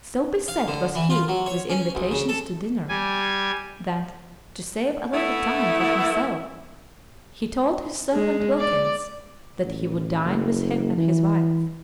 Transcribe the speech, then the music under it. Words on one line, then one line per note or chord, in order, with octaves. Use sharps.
So beset was he with invitations to dinner, that, to save a little time for himself, he told his servant Wilkins, that he would dine with him and his wife.
F5
D3
E3
F4
F#3
C#5
C#4
B1
C#3
A4
G3 G#5
A3 B3 E4
G#3
D5
A1
F#1
E3